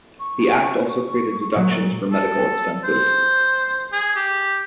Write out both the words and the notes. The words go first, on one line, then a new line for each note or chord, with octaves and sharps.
The Act also created deductions for medical expenses.
C#6
C#6
A#2 F#3
A4
C5
G#4
G4